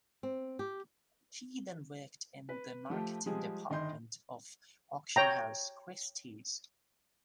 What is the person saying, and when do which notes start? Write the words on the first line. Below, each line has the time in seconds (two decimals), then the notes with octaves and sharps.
She then worked in the marketing department of auction house Christie's.
0.23 C4
0.59 G4
2.49 B4
2.90 F3 A3 G4
3.26 F3 G3 G#3 G#4
3.70 G1 D#3 D#5 C6 G6
5.16 C#5 G5 A#5